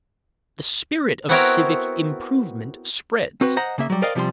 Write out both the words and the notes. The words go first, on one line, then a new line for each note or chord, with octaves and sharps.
The spirit of civic improvement spreads.
B3 C4 E4 F#4 A#4 C#5
C4 F#4 B4
C5 D#5 F#5 A#5
C#3 A#3 E5
F#3 G3
A#4 C5 D5 D#5 F5 G5
C3 F3 G3 C6